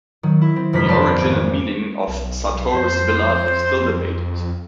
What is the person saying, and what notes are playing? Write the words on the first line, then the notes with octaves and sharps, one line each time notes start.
The origin and meaning of "Sartoris Villa" is still debated.
D#3 F#3
E4
C4
G1 F2 C3 A#4 B4 B6
A#4 C5 D5 F5 A5 B5
G#1 D7
B1
F2 C5